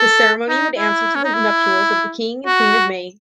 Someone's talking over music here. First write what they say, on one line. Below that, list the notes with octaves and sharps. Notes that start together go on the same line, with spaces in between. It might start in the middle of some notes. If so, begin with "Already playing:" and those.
The ceremony would answer to the nuptials of the King and Queen of May.
Already playing: A4
D#4
E4
C#4
D#4
E4
F#4